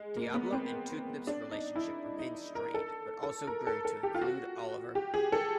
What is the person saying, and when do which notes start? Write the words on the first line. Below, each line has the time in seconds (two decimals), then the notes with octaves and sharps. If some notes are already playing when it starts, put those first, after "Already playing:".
Diablo and Toothgnip's relationship remained strained but also grew to include Oliver.
Already playing: G#3
0.17 A#3
0.27 A#3
0.34 B3
0.52 C4
1.27 D4
1.51 D#4
1.76 E4
2.19 D#4
2.55 A#4
2.74 A4
3.23 A4
3.47 A#4
3.67 A4
3.85 A4
4.03 G4
4.14 F4
4.21 F#4
4.95 G4
5.14 G#4
5.32 A4